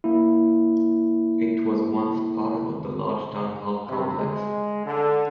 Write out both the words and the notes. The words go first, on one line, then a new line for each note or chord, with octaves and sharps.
It was once part of the large Town Hall Complex.
A#3 E4
C3
G#3
D3